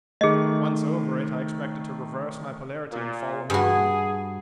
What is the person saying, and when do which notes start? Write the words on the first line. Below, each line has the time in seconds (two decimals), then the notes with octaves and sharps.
Once over it, I expected to reverse my polarity and fall on the moon.
0.21 D#3 A3 G#4 D#5
2.91 A#2
3.50 G2 F#4 G#4